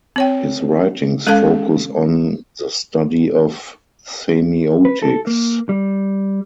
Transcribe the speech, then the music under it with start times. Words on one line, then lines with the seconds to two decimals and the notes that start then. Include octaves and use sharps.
His writings focus on the study of Semiotics.
0.16 C4 C#5 G5
1.27 G#3 C#4 A4 F5 A5
4.85 B4
5.02 A4
5.27 A#3
5.69 G3